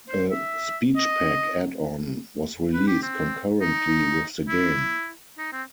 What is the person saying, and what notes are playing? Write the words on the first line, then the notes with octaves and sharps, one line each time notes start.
A "Speech Pack" add-on was released concurrently with the game.
C5
E5
D#5
B4
G4
C4
D#4
E4
D#4
C4